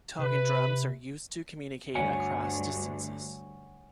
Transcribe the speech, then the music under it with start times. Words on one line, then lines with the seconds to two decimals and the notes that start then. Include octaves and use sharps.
Talking drums are used to communicate across distances.
0.19 C3 B4
1.95 D2 G2 C#5 F#5 G#5